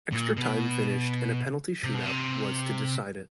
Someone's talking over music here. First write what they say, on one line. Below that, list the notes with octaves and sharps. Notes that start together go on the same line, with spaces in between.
Extra time finished and a penalty shoot-out was to decide it.
A#2
B2
C3
B2
C3